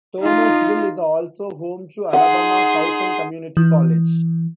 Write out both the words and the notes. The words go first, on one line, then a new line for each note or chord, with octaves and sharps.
Thomasville is also home to Alabama Southern Community College.
D#4 F4
D#4 G#4 F#5 C6
E3